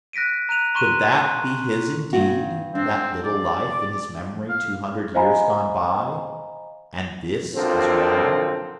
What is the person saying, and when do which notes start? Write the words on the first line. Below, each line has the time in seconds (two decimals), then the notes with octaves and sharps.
Could that be his indeed, that little life in his memory two hundred years gone by--and this as well?
0.13 F#6 A#6 B6 D7 D#7
0.49 A#5 F#6 D#7 F7
0.74 A#5 C6 C#6 F#6 D#7 E7
2.13 G2 F#4
2.75 C4 D4
3.24 D5
4.49 F5
5.15 C5 D#5 F5 G#5 A#5 B5
7.56 B1 D3 F3 A#3 C4 F4